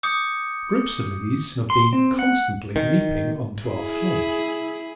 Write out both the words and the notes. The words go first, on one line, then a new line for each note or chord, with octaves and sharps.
Groups of these have been constantly leaping on to our floe.
D6 D#6 G6 C#7
C6
C4
F#5
D#3
E4 G#4